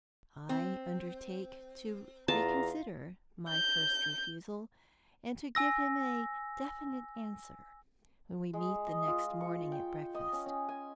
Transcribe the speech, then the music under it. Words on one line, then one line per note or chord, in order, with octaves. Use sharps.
I undertake to reconsider my first refusal, and to give him a definite answer when we meet the next morning at breakfast.
C4
E2 F4 A5 A#5
G6
G#5 E6 A#6
G#3
D#5
F4
C#6
G5
D#5
C#4
C#4
G#5